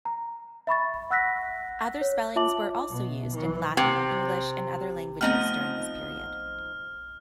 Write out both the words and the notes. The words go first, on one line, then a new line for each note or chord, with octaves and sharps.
Other spellings were also used in Latin, English and other languages during this period.
A#5
E5 B5 C#6 A6
F#5 E6 F#6 A#6 B6
C#5
F4 E5 A5 D6 F#7
B2
E3
C3
F3 A3 B3 C4 D#4 F#5 F6